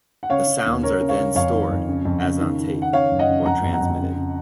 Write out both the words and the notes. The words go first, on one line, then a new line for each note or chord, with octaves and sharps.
The sounds are then stored, as on tape, or transmitted.
F#5
C#3 C#5 F5
C#3
D#2
C#3 A#4 C#5
C#3
C#5 F5
C#3
F2 C#5 F5
D#3
F2
C#3
F2
C#3
D#3
D#3
D#3
F#5
C#3 C#5 F5
F#2
D#5 F#5
C#3
F2 F#5 A#5
F2
F#5 A#5
F2
C#3
C#3